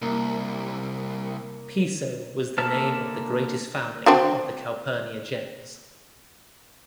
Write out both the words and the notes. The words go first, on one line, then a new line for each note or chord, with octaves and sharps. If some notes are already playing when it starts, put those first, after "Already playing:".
"Piso" was the name of the greatest family of the Calpurnia gens.
C2 A#3
D3 A#3 E5 A5 F6
C4 D4 F#4